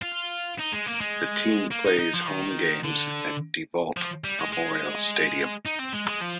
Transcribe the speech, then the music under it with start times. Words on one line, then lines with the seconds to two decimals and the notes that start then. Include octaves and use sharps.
The team plays home games at DeVault Memorial Stadium.
0.02 F4
0.59 D#4
0.72 G#3
0.86 A#3
1.01 G#3
1.71 A#3
1.85 D#4
1.99 D#4
2.14 F3
2.27 D#3
2.84 D3
3.97 F3
4.24 G3
4.39 G#3
4.53 G#3
5.65 D#4
5.79 C4
5.93 G#3
6.08 G#3
6.22 F3